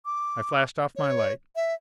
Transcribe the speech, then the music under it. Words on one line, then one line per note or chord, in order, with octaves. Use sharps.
I flashed off my light.
D6
C#5
E5